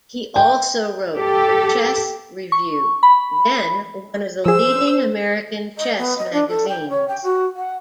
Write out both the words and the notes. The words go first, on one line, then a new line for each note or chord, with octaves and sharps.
He also wrote for "Chess Review", then one of the leading American chess magazines.
G5
G4 A4
C#6
B5
F3 G#4 C5 E6
D#5
B3
D#5
D4
A4
G5
C#5
G5
F#4
F#5